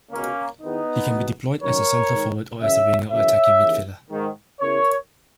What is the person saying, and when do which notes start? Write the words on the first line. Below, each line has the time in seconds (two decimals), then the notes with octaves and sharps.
He can be deployed as a centre-forward or as a winger or attacking midfielder.
0.11 C#2 B2 A#3 C#4
0.62 E2 D#3 B3 D#4
1.12 E2 B2
1.62 F#2 D#3 A#4 C#5
2.11 G#2 D#3
2.61 F#2 C#3 E3 C#5 E5
3.11 F#2 C#3 E3 C#5 E5
3.61 D#2 C#3 E3
4.11 G#2 D#3
4.61 E2 C#3 E3 A#4 C#5